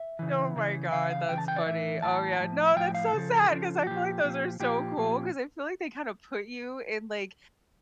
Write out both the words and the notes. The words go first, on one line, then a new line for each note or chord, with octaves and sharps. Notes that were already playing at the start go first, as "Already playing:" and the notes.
Oh my god, that's funny. Oh, yeah, no, that's so sad 'cause I feel like those are so cool 'cause I feel like they kinda put you in, like,
Already playing: E5
C#3 E3
C#3 E3
C#3 E3 F5
F5
C#3 E3 G5
A5
G5
D5
A2 E3 E5
A2 E3 A5
A2 F3
A2 F3 G5
F5
C#3 F3 A4
C#3 F3
A#2 F3 G4
A#2 F3
A#2 F3 G4
A#2 F3